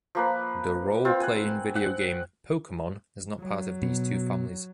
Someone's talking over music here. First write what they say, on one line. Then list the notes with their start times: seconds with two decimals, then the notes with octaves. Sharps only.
The role-playing video game, Pokémon, is not part of these two families.
0.15 F3 A#3 B4
1.05 C4 F4
1.20 F#5 G#5
1.76 F#5
3.41 F#3
3.82 B2